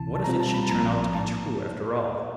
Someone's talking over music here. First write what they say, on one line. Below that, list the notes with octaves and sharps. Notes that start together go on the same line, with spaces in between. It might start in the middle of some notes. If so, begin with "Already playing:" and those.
What if it should turn out to be true after all!
Already playing: C#2 C3 E3 A5
A5
B2 G3 C4 F4 A#5
A5
A#5
B5
A#1 A2 F3 A#3 A#5
A5